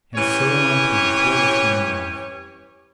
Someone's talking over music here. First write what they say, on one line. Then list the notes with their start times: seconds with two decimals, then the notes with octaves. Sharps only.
And so on through the whole of human life.
0.16 E3 C#4 G4 C#5